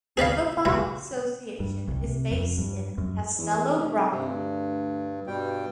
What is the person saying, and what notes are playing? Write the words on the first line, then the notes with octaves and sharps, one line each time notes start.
The Football Association is based in Castelo Branco.
G#4 B4 D5 F5
G2 F#3
G2
C2
C3
F2
G2
F#2
E2
F1
G2 C3
D2
G2 B2 G3 G5